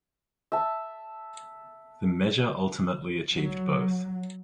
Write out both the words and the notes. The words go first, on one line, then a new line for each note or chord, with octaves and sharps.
The measure ultimately achieved both.
E5 A5
F#3